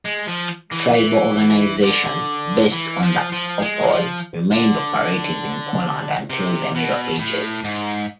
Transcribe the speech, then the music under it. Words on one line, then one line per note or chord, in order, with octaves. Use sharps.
Tribal organization, based on the "opole", remained operative in Poland until the Middle Ages.
G#3
F3
E3
E3
D3
E3
F3
F3
G#3
E3
F3
D3
C3
B2
A2
G#2